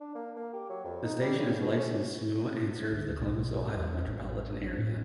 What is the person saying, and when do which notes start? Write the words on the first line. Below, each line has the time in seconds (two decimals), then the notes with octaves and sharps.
The station is licensed to and serves the Columbus, Ohio metropolitan area.
0.01 D4
0.15 A#3
0.36 A#3
0.53 G4
0.70 F#3
0.84 F2
1.04 D#4
1.21 G3
1.39 C#3
1.60 B2
1.76 C#4
2.93 D2
3.19 B1
3.75 E2
4.05 A1
4.63 D4
4.78 A2